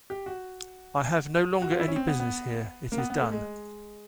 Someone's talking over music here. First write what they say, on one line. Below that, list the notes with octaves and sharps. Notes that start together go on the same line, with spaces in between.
I have no longer any business here; it is done.
G4
F#4
F#4
F4
E4
C#4
C4
B3
B3
A#3
B3
B3
A3
G#3